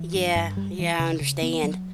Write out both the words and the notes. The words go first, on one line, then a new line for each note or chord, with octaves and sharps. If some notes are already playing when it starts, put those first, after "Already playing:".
Yeah, yeah, I understand.
Already playing: E3
G2
G2
G3
E3
C#3
C#3
B3
F#3